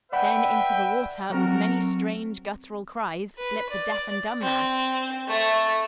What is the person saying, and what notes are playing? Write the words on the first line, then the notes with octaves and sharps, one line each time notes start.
Then, into the water, with many strange, guttural cries, slipped the deaf and dumb man.
B4 D5 E5 F#5 G5 B5
F#3 C4 F#4 A4 A#4
B4
D5
C4
A3